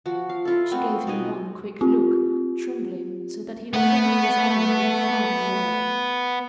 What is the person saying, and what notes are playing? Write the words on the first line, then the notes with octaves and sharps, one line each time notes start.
She gave him one quick look, trembling so that he offered her his arm with a fatherly air.
F3 F#4
F5
E4 F4 A4
B3 C4 F4 F#4
B2 D#4 D#5 G#5
C4 F4 G4
A3 B3 F#5